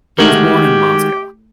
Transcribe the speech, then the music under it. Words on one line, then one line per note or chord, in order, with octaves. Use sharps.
He was born in Moscow.
D#3 G#3 A3 F#4 G4 A#4